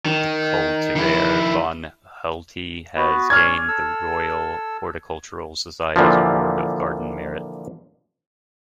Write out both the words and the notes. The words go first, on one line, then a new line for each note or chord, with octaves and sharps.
The cultivar 'Van-Houttei' has gained the Royal Horticultural Society's Award of Garden Merit.
D#3
D#3 E4
B3 F#4 B4
C#4 C#5 D5 F6 G#6
A4 E6
A#2 D3 E3 F3